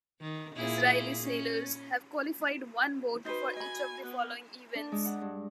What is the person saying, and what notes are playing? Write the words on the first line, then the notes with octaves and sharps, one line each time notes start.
Israeli sailors have qualified one boat for each of the following events.
D#3
A#2 E4 G#4
C#4
D#4 F#4 B4 C5
D#5 G#5 B5
B3 B4
D4
G#3
F#5
G2